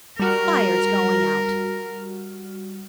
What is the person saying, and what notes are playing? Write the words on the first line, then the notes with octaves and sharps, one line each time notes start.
The fire's going out!
G3 F#4 A#4 F6